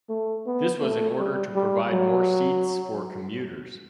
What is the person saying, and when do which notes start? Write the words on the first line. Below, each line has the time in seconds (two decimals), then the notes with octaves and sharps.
This was in order to provide more seats for commuters.
0.09 A3
0.46 B3
0.82 A3
1.19 G3
1.55 G3
1.91 F#3